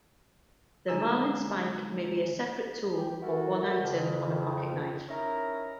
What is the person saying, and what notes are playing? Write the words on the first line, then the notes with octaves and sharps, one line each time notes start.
The marlinspike may be a separate tool or one item on a pocket knife.
D3 G#3 D#4 G#5 A#5 E6
G4
B3 E4 F#4 A4 A#4
F2 C#3
C#4 D#4 E4 A#4 A#5